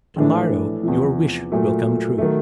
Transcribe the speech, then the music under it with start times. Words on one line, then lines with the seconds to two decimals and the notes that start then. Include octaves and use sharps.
"Tomorrow your wish will come true."
0.16 A#1 A2 E3 A3 D4
0.83 E2 C3 F3
1.52 A#2 F#3 A3
2.18 D#3 F#3 A3